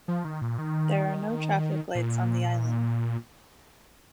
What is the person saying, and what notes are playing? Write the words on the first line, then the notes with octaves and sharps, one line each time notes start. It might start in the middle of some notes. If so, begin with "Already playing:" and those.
There are no traffic lights on the island.
F3
D#3
A#2
D#3
A#2